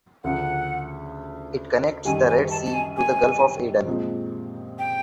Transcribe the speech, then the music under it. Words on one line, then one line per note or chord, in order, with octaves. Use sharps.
It connects the Red Sea to the Gulf of Aden.
D2 C#3 F3 F#5
F#2 D#3 G3 G#5
G#5
A5
A5
G#5
G#5
A#2 F3 G#3 C4
G5